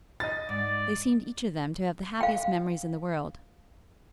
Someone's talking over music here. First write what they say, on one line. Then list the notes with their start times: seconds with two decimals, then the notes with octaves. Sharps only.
They seemed each of them to have the happiest memories in the world.
0.20 D#4 D#5 A6
0.49 G#2 D5
2.21 F5 G5